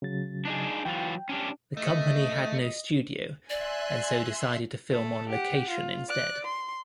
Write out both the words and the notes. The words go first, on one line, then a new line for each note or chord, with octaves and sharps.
The company had no studio and so decided to film on location instead.
C#3 F#3 A6
D4 D#4 G#4
E3 F#3 F4 G5
C#4 D4 G4
A3 D#5
D5 E5 G#5 C6 F#6
A3 A4
G4 F#5
F4
D5 F#6
C6